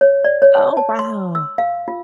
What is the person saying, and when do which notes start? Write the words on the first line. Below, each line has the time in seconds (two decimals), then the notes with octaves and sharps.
Oh, wow.
0.01 C#5
0.24 D5
0.42 C#5
0.56 A5
0.77 A5
0.99 C6
1.35 E6
1.58 F5
1.88 F4